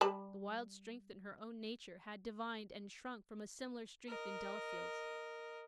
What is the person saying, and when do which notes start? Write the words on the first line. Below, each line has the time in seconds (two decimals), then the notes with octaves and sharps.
The wild strength in her own nature had divined and shrunk from a similar strength in Delafield's.
0.01 G3 A5 B5
4.08 A#4 D#5